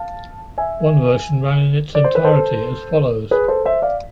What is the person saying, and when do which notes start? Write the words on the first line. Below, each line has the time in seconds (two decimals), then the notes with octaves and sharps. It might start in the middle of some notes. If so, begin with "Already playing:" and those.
One version ran in its entirety as follows.
Already playing: F5 A5
0.58 E5 G#5
1.95 D5
2.04 C5
2.15 B4
2.25 A4 C5
3.31 G#4 B4
3.48 A4 C5
3.65 C5 E5
3.82 D5 F5